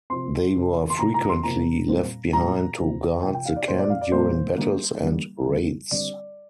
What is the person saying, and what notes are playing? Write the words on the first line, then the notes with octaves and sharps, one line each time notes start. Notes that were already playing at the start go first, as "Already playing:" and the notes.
They were frequently left behind to guard the camp during battles and raids.
C3 F3 C4 C6
C3 F3 C4
C6
C3 F3 A#3 A#5
A#5
C6
C3 F3 A#3 A#5
A#2 G3 C4
A#2 G3 C4 A#5
C3 F3 C4
C3 F3 C4 G5
G5
F5
D5
A#2 G3 A#3 C5
D5
F5
D5
A#2 G3 A#3 C5
D3 G3 A#3
D3 G3 A#3
D3 G3 C4
D3 G3 C4 D5